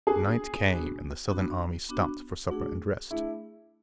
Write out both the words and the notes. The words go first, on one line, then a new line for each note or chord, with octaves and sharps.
Night came and the Southern army stopped for supper and rest.
B3 D4 F#4 G#4
B3 D4 F#4
B3 D4 F#4
B3 D4 F#4
A3 D4 F#4 G#4
A3 D4 E4 G#4